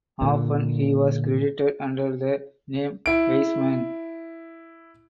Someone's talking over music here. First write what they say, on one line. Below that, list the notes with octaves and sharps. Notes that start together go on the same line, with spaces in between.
Often he was credited under the name Weisman.
A#2 D3 A#3
E4 D7